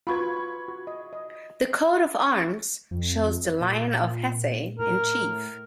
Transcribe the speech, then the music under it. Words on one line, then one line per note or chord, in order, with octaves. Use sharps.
The coat of arms shows the lion of Hesse in chief.
F4 F#4 B4 B5 C#6 G#6
F#4
D#5
D#5
F2
A#2
A2 A#4